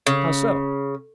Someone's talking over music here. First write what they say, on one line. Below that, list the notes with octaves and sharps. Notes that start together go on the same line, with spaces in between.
"How so?"
C#3